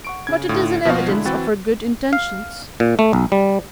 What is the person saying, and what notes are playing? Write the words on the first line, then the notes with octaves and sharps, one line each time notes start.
But it is an evidence of her good intentions.
F#5 C#6 D7
C#3 G#6
A2 D3 F4
B2 F3 B3 F#4 F5
D3 G#3 E4
E3 C4 F#4 B4 G5 A6
F5
A#2
A3
B1
G3